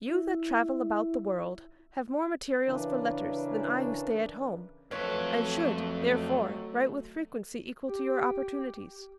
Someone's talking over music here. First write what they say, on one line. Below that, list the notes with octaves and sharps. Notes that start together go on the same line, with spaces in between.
'You that travel about the world, have more materials for letters, than I who stay at home; and should, therefore, write with frequency equal to your opportunities.
E4
C#3 E3 C#4 D4 A#4 B4
F2 F#3 A3 A4 B4 C#5
G4